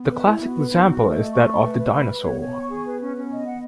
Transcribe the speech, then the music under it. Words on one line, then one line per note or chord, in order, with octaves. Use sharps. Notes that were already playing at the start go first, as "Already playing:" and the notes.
The classic example is that of the dinosaurs.
Already playing: B3
B4
E4
B3 F#4
B4
B3 D#4
F#4
A3 A4
D#5
C#6
C#6
B4
B4
B5
B4
B3 C#5
C#5
C#6
G#4
B4
C#4
C#4
D#5
F#5